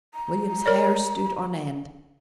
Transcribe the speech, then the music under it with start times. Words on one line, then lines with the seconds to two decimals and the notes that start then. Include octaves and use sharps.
William's hair stood on end.
0.14 A#5
0.66 A#4 C#5 D5